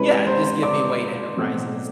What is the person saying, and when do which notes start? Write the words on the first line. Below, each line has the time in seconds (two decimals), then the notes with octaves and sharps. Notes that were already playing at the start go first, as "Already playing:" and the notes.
Yeah. Just give me Wayne Enterprises,
Already playing: C3 E3 G#3 C#4 B4 B5
0.26 C5 C6
0.62 D5 D6
1.36 B2 F#3 A3 C4